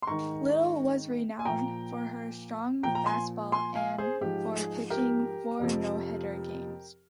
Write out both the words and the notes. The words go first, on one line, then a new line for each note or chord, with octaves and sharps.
Little was renowned for her strong fastball and for pitching four no-hitter games.
C6
G#2 D#3 A#5 C#6
G#5
A#2 F3 G5 A#5
A#2 F3 G5 A#5
A#5
G#5 C6
G#5 C6
F5 G#5
G#4 C5
G#2 F3 G4
G#4
G4 A#4
F2 C3 F3